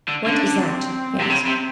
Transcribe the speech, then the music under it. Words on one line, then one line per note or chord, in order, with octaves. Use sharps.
"What is that?" he asked.
D3
D3 C#4
C4
C3
C#3
C3